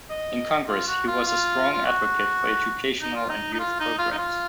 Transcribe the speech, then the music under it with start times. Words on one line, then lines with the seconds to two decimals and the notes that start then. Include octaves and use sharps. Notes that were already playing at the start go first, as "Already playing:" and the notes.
In Congress he was a strong advocate for educational and youth programs.
0.10 D#5
0.68 F4
0.87 F#4
1.08 F4
1.27 F4
1.73 F4
1.85 F#4
3.01 D#4
3.16 F4
3.29 D#4
3.53 D#4
3.59 F4
3.80 D#4
3.98 F4
4.11 D#4
4.18 F4